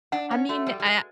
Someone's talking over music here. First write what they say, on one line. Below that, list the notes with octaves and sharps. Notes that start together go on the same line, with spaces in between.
I mean, I
D4 F#5
C#4
A3 F#4
G3
G3
G#3 B4